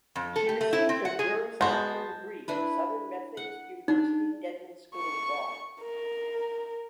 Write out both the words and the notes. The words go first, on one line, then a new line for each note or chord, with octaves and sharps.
She received her Juris Doctor degree from Southern Methodist University Dedman School of Law.
F2
A4
G4
A3
E4
C4
F#5
G#4
G#3 B3 F#4 A5 C6 G6
D4 E4 B4
F#5
D4 D#4
C#6
A#4